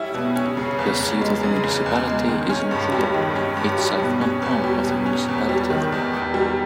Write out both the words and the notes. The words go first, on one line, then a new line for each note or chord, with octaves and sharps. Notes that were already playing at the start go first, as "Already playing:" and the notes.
The seat of the municipality is in Trier, itself not part of the municipality.
Already playing: G3 C#4 E4
B2
C#4
C#3
E2
E2
G#3
C#3
E2
E2
G#3
D#3
C#4
G2
G3
D#3
C#4
G2
G3
B2
C#4
E2
G3
B2
C#4
E2
G3
D#3
E2
E2
G3